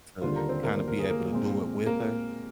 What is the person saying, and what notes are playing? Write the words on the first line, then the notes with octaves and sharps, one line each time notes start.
to to kinda be able to do it with her,
D#2 D3 G3 D4 F4 C5 C6
A#4 A#5
C4 C5
A#3 A#4
C5
A#4
G#4
A#3 A#4
A#2 G#3 C4
A#3 A#4